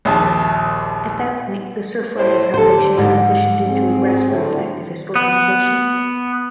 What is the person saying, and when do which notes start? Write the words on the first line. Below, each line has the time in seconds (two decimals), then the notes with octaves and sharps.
At that point the Surfrider Foundation transitioned into a grassroots activist organization.
0.05 A#1 D#2 A5
2.15 A2 C5
2.54 D3 G4 A4 C5
2.98 G#2
3.68 C4 G#4
4.29 A2 D3
5.16 B3